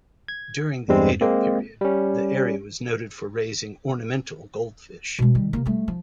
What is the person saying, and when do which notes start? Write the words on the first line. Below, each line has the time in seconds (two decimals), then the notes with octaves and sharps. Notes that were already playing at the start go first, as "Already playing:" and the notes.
During the Edo period, the area was noted for raising ornamental goldfish.
0.28 G#6
0.88 E2 G2 G3 G#3 C4
1.21 G#3 A#3 C4
1.81 G3 C#4
5.19 B2 G#3
5.35 D#3 G3
5.53 C3 A#3
5.66 G3 A3
5.88 F3